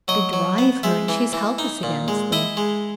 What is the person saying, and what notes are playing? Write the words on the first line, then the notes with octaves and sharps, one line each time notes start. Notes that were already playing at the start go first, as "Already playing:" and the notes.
They drive her, and she is helpless against them.
F#3 D#5
F#3
B3
G#3 E5
E3
E3
D#4
A#2
G#3
E4 D#5
G#3